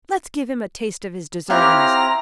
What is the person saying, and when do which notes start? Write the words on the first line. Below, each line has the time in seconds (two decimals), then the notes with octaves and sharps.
Let's give him a taste of his deservings!
1.50 C4 C#4 E4 F4 G4 F#5 A#5 F6